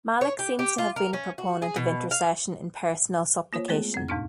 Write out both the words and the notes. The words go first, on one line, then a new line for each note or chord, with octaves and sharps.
Malik seems to have been a proponent of intercession in personal supplication.
C#5
G4
G4
F4
A#4
C#4
F#4
G#4
B2
F5
A#3 F4 C5 C#5
G#3 A3 B3 G#4
F2 C4
E2 G#2 B2 D4 D#4 F6